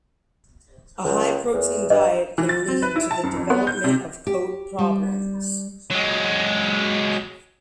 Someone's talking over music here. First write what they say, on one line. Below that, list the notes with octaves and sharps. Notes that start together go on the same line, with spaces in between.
A high protein diet can lead to the development of coat problems.
C#2
E2
G2 D#5
E3
A6
C4
B4
E4
A5
F#2
F2
B3
G6
C3
G4
G3
F#3 G#3